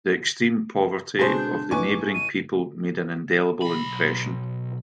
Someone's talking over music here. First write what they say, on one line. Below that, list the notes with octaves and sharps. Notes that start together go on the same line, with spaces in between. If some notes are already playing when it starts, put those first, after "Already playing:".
The extreme poverty of the neighboring people made an indelible impression.
B2 G#3 C4 D4 G#4 C5 A5 C#6
G6
A1 B4 G#5 C#6 D6
D#7
B1 B5